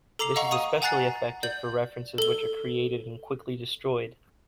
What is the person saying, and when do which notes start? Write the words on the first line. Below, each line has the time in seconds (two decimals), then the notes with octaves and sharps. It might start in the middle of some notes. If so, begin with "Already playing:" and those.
This is especially effective for references which are created and quickly destroyed.
0.19 A4 A#5 D6 C7 F7
0.36 D#5 F5 F#5 A#5 C#6
0.51 A#5 C#6 D#6 D#7
0.82 F#5 G#5 A#5 F#6 A6 C7
1.43 D5 G6 F#7
2.18 A4 G7